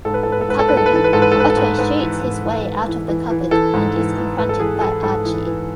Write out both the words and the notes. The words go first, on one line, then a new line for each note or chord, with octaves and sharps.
Recovering, Otto shoots his way out of the cupboard and is confronted by Archie.
G#2 A4
B4
G#2 A4
B4
A4
G#2 B4
A4
G#2 B4
A4
B4
E3 A4
B4
G#2 A4
B4
G#2 A4
B4
A4
G#2
G#2 B4
E3
G#2
E3
G#2
E3
E3
E3
E3 A4
G#2
E3
E3
G#2 B4
A4
E3 G#4
E3 A4
G#2 A4
E3
E3